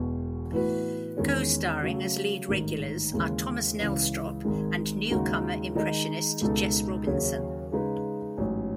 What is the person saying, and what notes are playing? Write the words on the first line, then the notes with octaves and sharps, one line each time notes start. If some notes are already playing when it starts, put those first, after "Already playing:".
Co-starring as lead regulars are Thomas Nelstrop and newcomer impressionist Jess Robinson.
Already playing: E1 E2 B2
A2 E3 B3 F#4 B4
E2 D#3 G#3 C#4
C#3 F#3 A3
A1 G#2 D#3
D#2 C#3 E3 G#3
C#2 C#3 E3
G#1 G#2 D#3 G#3
D#2 C#3 G#3 D#4 F#4
D#3 G#3 D#4 G#4 D#5
C#2 B2 G#3 D#4 A4
D#2 C#3 F#3 C#4 G#4
C#3 G#3 D#4 G#4 B4
A1 G#2 F#3 C#4